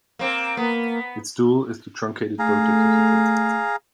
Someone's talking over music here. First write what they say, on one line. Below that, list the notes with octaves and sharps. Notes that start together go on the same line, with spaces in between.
Its dual is the truncated dodecahedron.
A#3 C4
A#3 B3
A3 G#4 F5 A#5